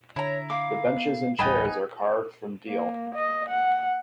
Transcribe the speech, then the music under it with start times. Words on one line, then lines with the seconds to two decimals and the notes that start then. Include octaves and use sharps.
The benches and chairs are carved from deal.
0.16 D3 E4 C#5 A#5
0.50 F5 D6
0.97 B3
1.39 D1 A1 G3 B3 D#4 G5 G#5 B5
2.68 A#3
3.15 D#5
3.49 F#5